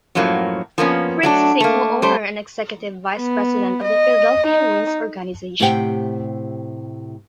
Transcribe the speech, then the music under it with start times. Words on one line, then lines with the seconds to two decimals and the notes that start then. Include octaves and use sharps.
Fritz is Co-Owner and Executive Vice President of the Philadelphia Wings organization.
0.15 F#2 A2 F3 F#3 A#3
0.78 F3 A#3 B3 C#4
1.23 F#3 A3 D4
1.60 A3 A#3
2.02 G3 A3 C5
3.17 B3
3.84 D#5
4.47 D#4
5.60 A2 C3 G4 C5 F#5 G5